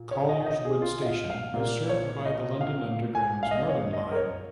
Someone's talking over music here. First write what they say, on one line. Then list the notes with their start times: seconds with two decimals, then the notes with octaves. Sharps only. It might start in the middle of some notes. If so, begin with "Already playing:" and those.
Colliers Wood Station is served by the London Underground's Northern line.
Already playing: A#2
0.11 C#5
0.29 D#5
0.46 D#5
0.65 G#4
0.82 F4
1.02 D#5
1.06 F5
1.30 F5
1.54 A#2 A#3 F5
1.89 C#5
2.25 D#5
2.61 F5
3.15 G#5
3.43 F5
3.51 D#5
3.69 C#5
3.93 D#5
4.12 A#4
4.16 C#5